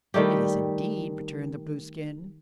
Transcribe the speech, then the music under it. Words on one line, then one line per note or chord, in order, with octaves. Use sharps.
"It is, indeed," returned the Blueskin.
D#3 G3 A3 G4